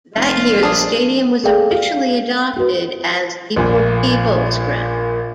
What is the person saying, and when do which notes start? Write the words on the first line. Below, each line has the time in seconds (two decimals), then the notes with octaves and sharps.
That year, the stadium was officially adopted as Deportivo's ground.
0.16 F1 F4
0.63 A#1 D4 G#4
1.44 G#4 A4 D5 F5 G5
1.71 F5
2.56 F#4 B4
3.56 A#1 A#2